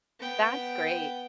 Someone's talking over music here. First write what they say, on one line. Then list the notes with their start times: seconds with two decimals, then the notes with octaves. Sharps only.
That's great,
0.20 B3 G5